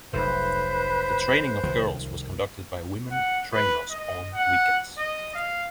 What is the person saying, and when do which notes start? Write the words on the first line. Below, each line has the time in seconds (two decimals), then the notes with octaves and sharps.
The training of girls was conducted by women trainers on weekends.
0.13 F1 B1 B4 C5
1.64 C2 D#3 F3
3.11 F#5
3.53 B4
3.91 D#5
4.34 F#5
4.98 D#5
5.35 F5